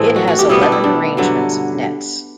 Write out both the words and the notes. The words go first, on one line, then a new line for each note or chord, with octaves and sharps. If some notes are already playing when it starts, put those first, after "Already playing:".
It has eleven arrangements of nets.
Already playing: A2 E3 A3 C4
F#4
F#4
G4
B2 G3 B3 E4
D4
E4
D4
G2 D3 F#3